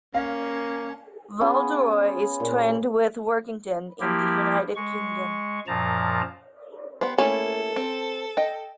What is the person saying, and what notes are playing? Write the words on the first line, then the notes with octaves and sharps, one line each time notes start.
Val-de-Reuil is twinned with Workington in the United Kingdom.
A#3 C#4 F5
B3 C#4 F4 G#4
A#2
F3 A#3 E4 G4
G#3 C#6
F#2 A#2 F3 A5 A#5
B3 G4 C5
A3 A#3 C#4 E4 A4
C4
D#5 G5